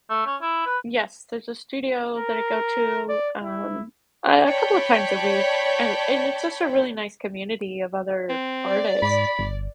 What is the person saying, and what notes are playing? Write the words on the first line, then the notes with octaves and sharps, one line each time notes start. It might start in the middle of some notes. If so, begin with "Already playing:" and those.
yes, there's a studio that I go to, um, a couple of times a week, and and it's just a really nice community of other artists.
A3
C#4
E4
B4
A#4
D5
E4
C#5 D5 G5 A5 B5
C4
D5
G#2 B5
G1